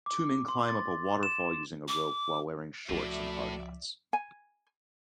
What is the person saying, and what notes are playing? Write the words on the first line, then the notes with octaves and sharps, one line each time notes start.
Two men climb up a waterfall using a rope while wearing shorts and hard hats.
D6
C6
A6
E7
D6
C#2 A2 F3 F#4 D5 E5
G#5